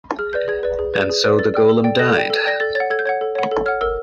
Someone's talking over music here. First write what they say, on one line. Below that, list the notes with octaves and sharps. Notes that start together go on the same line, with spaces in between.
And so the golem died.
G#4 F6
B4 D5 G6
G#4 G#6
B4 D5
G#4
B4 D5
G#4
B4 D5
A4 A6
D5 G5
A4
D5 G5
A4 A#6
D5 G5
A4
D5 G5 A#6
A4 A6
C#5 A6
F#5
A4 G#6
G6
C#5 F#5 G#6
A4
C#5 F#5
A4
C#5 F#5 F6
A#4 E6